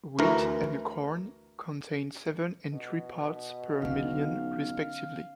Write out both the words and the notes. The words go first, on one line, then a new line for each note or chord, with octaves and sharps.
Wheat and corn contain seven and three parts per million respectively.
D2 E3 A#4
B2
B1 D3 C#4 F5